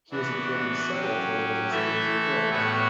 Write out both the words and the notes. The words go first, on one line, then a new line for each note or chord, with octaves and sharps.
He has appeared in several television serials and films.
E3 B3 D4 F#4
F#3 C#4 G4
E3 A3 E4 A4 E5
A2 G3 B3 F#4 C#5